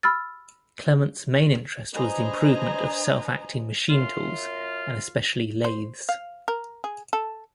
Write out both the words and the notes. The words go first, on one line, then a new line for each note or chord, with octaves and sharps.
Clement's main interest was the improvement of self-acting machine tools, and especially lathes.
B5 E6 F6 A6
D4 B4 C5 D#5 G#5 A#5
F#2 F4
C5
F5
A#4
G#4
A4